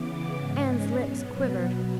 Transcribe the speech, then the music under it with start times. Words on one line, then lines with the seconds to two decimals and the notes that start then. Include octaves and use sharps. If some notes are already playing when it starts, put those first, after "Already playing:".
Anne's lips quivered.
Already playing: C#3 E3 B3 D6
0.37 G#2 G#3 C#4
0.96 B2 F#3 B3